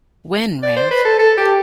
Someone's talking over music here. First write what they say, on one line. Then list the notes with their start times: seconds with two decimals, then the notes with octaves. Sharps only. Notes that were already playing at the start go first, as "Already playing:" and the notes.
When Rev.
0.63 D5
0.76 C5
0.91 B4
1.05 A4
1.19 A4
1.37 G4